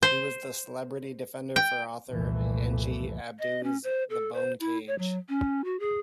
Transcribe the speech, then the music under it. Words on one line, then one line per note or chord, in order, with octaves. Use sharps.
He was the celebrity defender for author Angie Abdou's "The Bone Cage".
C5
G5
C2 F2 A#2 E3 A3
D#5
C#4
C5
A4
C5
E4
C#5
F#3
C#4
F#4
G#4